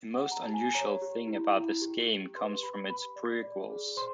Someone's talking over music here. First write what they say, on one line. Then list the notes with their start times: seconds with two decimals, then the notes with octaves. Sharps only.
The most unusual thing about this game comes from its prequels.
0.14 F#5
0.21 G4
0.32 A#5
0.42 A5
0.48 G4
0.54 G#5
0.74 C#5 A#5
1.02 G4
1.28 E4
1.54 E4
1.82 G4
2.09 G4
2.36 B4 C6
2.63 G4 B5
2.89 G4 B5
3.16 D5
3.43 D5
3.70 G#4
3.97 C5 C6